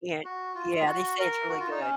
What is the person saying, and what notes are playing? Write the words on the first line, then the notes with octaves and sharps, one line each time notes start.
Yeah, yeah, they say it's really good.
F#4
F4
F4
F#4
A#4
F#4
F4
D#4
C#4